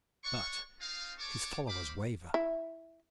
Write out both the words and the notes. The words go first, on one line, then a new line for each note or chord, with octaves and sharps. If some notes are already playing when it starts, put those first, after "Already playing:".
But his followers waver.
C#5 D5 F#5 C#6
G#3 C4 D#4 F4 F5
D4 A4 C#5 A5 C#6 D6
D#4 C5 F5 B5 D6
E4